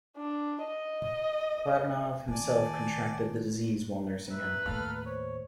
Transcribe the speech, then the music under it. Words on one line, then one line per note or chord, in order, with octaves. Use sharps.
Platonov himself contracted the disease while nursing him.
D4
D#5
D#3 D5 G#5 A5
A#5
B4 E5 E6 F#6
D#2 A2 A4 F5 F6
C5 C#5